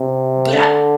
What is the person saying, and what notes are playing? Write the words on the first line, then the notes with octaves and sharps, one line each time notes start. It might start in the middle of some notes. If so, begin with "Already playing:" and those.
but, ah
Already playing: C3
D3